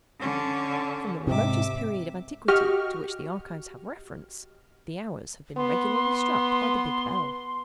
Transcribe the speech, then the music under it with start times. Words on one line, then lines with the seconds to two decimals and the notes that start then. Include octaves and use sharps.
From the remotest period of antiquity to which the archives have reference, the hours have been regularly struck by the big bell.
0.19 D3 C#4
1.27 G#2 C3 E5 D6
2.48 F#4 G4 D#5 C#6 F6
5.57 B3 C6